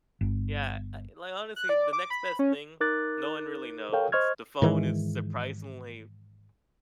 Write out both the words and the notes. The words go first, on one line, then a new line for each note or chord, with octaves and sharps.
Yeah, e like, honestly, the next best thing, no one really knows. The phone is surprisingly
G1
F#6
D5
D6
B5
B5
C#4
D#4 A#4 D6 F#6 A6
A4 A#4 C#5 F5 G5
C5 D#5 C#6 F6 G#6
G#2 D#3 E3 G#3